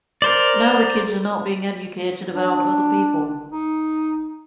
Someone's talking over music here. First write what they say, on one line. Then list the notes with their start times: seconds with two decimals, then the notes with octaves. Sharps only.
Now the kids are not being educated about other people.
0.22 A#4 C5 D5
2.34 D4
3.52 D#4